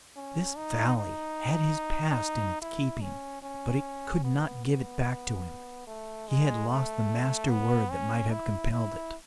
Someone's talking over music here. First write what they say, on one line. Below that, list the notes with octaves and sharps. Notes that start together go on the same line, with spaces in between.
This valley had his past in its keeping, but it could not give it back to him; he had lost the master word that might have compelled it.
C#4
D#4
D#4
E4
C#4
C#4
B3
B3
A3
G#3
A3
B3
C#4
E4
E4